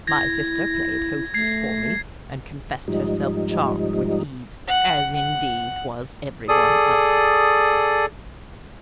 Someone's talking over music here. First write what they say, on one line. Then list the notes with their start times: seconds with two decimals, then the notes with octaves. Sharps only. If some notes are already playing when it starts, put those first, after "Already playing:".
My sister played hostess for me and confessed herself charmed with Eve, as indeed was every one else.
0.07 E4 G#6 A#6
1.34 A3 G#6 C7
2.88 G#2 F3 G3 D#4
4.68 F#5
5.14 F#5
6.49 G#4 A4 D5 D#6